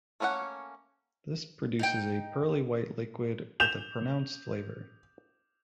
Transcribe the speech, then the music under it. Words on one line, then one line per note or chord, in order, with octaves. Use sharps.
This produces a pearly-white liquid with a pronounced flavor.
A3 A#3 C#4 C#5 F#5
D#4 G5
G6 E7 F7